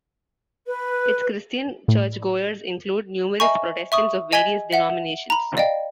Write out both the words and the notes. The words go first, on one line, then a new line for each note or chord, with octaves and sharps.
Its Christian churchgoers include numerous Protestants of various denominations.
B4
A2
D#5 E5 G#5 A#5 C#6
E5 C#6 D#6
D#5 G#5 G#6 B6 G7
E5 F#5
A#5 B5
D5 D#5 F5 G5